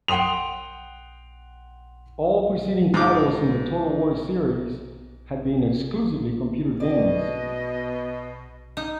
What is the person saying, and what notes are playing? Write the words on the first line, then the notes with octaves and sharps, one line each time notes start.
All preceding titles in the "Total War" series had been exclusively computer games.
F#5 G5 C6 D#6 F7
G#2 D6
B2 G#4 D5 D#5
D#4